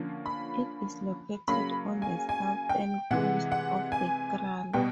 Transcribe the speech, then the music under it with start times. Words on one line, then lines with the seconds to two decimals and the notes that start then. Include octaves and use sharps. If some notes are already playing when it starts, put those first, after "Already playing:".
It is located on the southern coast of the krai.
Already playing: D3 F3 A#3 C#4
0.26 B5
1.48 C#3 F#3 A#3 C#4 B5
2.02 G#5
2.29 G#5
2.69 G5
3.11 C3 E3 G#3 F#5
3.52 F#5
3.92 G#5
4.73 B2 G3 B3 G5